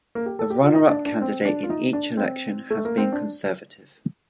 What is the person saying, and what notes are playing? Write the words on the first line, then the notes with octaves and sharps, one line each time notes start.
The runner-up candidate in each election has been Conservative.
A#3
G4
A4
G4
F4
D#4
D4
D4
C4
D4
F4
D#4
D4
C4
A3
A#3
C4
D4